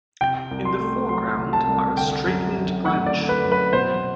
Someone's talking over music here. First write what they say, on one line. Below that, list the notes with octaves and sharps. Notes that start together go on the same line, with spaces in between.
In the foreground are a straightened branch.
C3 G5
C2
C6
A3
F#3 C6
C3
A5
C2
D3 G5
F#2
F#2
A3 F#5
D5
D3
B4
F#2
B4
B2 C5